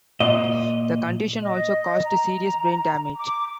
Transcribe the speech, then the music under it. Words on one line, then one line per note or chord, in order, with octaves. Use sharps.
The condition also caused serious brain damage.
A#2 D#5
D#5
A#5
D6